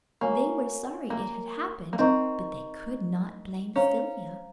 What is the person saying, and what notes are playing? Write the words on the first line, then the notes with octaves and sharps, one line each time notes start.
They were sorry it had happened, but they could not blame Sylvia.
A#3 F#4 C#5 G#5 C#6
A#3
A#3
C4 D#4 A#4 D#5 A#5 C#6
C#4 C5 F5 A#5